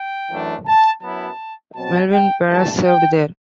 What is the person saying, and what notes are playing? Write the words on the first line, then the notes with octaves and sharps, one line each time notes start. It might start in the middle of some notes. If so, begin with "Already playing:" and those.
Melvyn Perez served there.
Already playing: G5
F#2 E3 A3 D4
A5
F#2 F#3 B3 E4 A5
B2 F#3 C4 A5
G5
G2 E3 A3 A5
G5